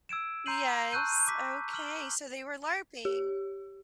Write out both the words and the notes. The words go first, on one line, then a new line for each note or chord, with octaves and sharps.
Yes, okay, so they were LARPing.
E6 G#6 D7 E7
A#5 C6 G6 C7 D#7 F#7
A5 C#6 E6 F#6 G6 D#7
D6 B6
F6 F#7 G7
G4